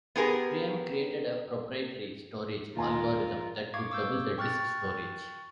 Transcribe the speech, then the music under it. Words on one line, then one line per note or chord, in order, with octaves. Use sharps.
Priam created a proprietary storage algorithm that could double the disk storage.
B3 G4 G#4 A#4
D#2 F4 A#4 G#5 C6
F5 C#6 D6 G#6
D6 E6 G6
G5 C#6 F6 F#6 A6